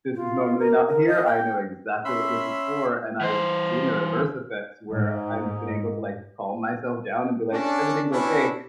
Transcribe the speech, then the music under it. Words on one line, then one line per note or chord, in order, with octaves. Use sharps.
"This is normally not here, I know exactly what this is for," and I've seen the reverse effects where I've been able to like calm myself down and be like, "Everything's okay,"
F4
A#4
A#4
D#5
G5
C#4 E5 B5 C6 E6
E3 C5
G#2 D#4
C#3 C#4 D4
B3 C#4 D4 E4